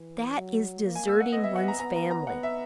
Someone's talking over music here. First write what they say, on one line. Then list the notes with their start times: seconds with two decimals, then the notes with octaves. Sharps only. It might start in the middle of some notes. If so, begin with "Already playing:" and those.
That is deserting one's family.
Already playing: E3
0.36 F#3
0.84 A#3
0.95 G#5
1.08 E6
1.20 F#5
1.32 B3 D#5
1.43 E5
1.56 F#5
1.68 A#5
1.79 B3 A#5
1.96 A#5
2.11 A#5
2.27 B3 F#5
2.43 E5